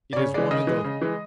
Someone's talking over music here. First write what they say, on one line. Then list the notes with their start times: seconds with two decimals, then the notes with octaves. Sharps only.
It is one of those.
0.13 D5
0.16 C#3 C#5
0.34 E3 G#3 D5
0.51 C#3 D#5
0.67 E3 G#3
0.84 C#3
1.01 E3 G#3